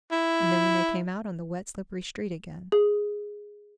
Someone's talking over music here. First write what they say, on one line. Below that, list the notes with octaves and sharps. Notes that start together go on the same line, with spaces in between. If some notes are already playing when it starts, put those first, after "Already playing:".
And then they came out on the wet, slippery street again.
E4
G#4